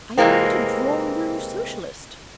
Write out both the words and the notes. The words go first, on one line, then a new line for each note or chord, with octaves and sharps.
I am but a drawing-room Socialist.
C3 E3 F3 G#3 A#3 C4